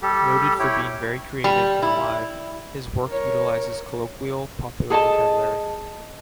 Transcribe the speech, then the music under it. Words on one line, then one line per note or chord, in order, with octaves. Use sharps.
Noted for being very creative and alive, his work utilizes colloquial, popular vocabulary.
G3 G4 A4
E4 G4 C#5 G5
G3
E4
A#4 C#5
G#4 A4 D#5 A5